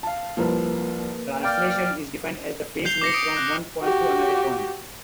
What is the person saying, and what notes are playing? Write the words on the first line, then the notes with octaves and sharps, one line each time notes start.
Translation is defined as the face moves from one point to another point.
F5 A5
C2 F3 A#3 A#4 B4
D5 F5 G5 D6 F6
G6 C7 F7 G7
D6 A#6 C#7
D#6 D7
F#6
F#4 G4